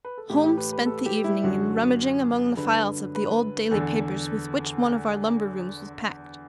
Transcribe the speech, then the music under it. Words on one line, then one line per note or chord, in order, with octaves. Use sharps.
Holmes spent the evening in rummaging among the files of the old daily papers with which one of our lumber-rooms was packed.
B4
A4
A2 E3 G4
G4
B4
B4
A4
G4
E4
F#2 D3 F#4
G2 D3 B4
B4
E2 D3 A4